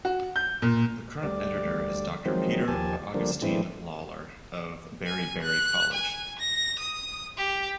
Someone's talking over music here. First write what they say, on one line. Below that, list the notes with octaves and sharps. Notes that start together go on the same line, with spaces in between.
The current editor is Doctor Peter Augustine Lawler of Berry Berry College.
F#4
G6
A#2
D2 G3 D5
D#3 F3 F#3 G#3 C4
D#2 F3 G4 G#5 A5
D3 F3 G3 A#3 D4
A2 E3 G#3 C4 D4
G#5
F#6
G#5
A#6
D#6
G4